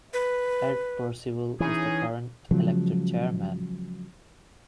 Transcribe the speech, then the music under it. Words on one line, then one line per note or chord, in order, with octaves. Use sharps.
Ed Percival is the current elected chairman.
B4
E3 C#4 D#4 G#4
C#3 F3 F#3 G#3